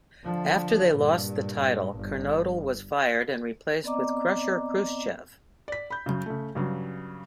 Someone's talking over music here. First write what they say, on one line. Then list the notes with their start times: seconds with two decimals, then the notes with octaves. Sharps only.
After they lost the title, Kernodle was fired and replaced with Krusher Khruschev.
0.24 D3 F3
0.95 G2 A#2
1.96 G1
3.84 B3 C4 D5 D#5 A#5 D6
5.68 D5 B6
5.90 B5 G6
6.06 F#2 C#3
6.26 C#3 A3
6.55 G2 C#3 F#3